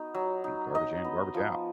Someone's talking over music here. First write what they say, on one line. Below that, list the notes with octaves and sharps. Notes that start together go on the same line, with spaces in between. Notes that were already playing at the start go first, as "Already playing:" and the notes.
"Garbage in, garbage out."
Already playing: B3 D#4 F#4
F#3
D#4
D#4 D#5
B3
F3